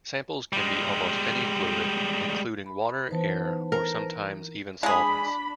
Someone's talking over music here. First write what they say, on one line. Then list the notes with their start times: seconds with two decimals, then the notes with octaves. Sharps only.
Samples can be almost any fluid including water, air or sometimes even solvents.
0.53 G3 G#3
2.66 B5
3.09 E3 B3 D#4 B4 C5 A5
3.72 A#4
4.83 G#3 D4 G#4 B5